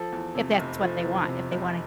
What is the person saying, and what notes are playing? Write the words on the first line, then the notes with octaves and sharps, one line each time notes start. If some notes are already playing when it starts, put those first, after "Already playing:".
if that's what they want. If they wanna
Already playing: F3 A4
E2
C3
F1
F3
E2
C3
F1